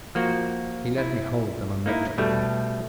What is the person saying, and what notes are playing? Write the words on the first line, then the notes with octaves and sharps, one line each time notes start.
He let me hold them and looked at me.
F3 A#3 F#4
E4
A#3 D#4 E4
B2 G3 A3